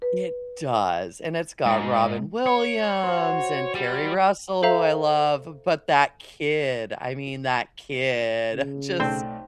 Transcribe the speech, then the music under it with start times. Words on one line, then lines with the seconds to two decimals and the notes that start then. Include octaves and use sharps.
It does. And it's got Robin Williams and Carrie Russell, who I love. But that kid, I mean, that kid just
0.02 B4
1.66 G#2
2.46 C#5
3.03 F#4 C5
3.75 G3
4.62 A4 C5 E5 F5 A#5
8.53 C#3
9.00 B1 A3 C4 C5 D5